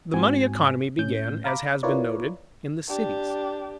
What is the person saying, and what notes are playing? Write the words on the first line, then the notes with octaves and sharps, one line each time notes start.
The money economy began, as has been noted, in the cities.
G#2 C4 F#4 G#5
A2 C#4 G6
F5 A#5 B5 D6
E4 F4 A#4 B4 C#5 D5
D4 G4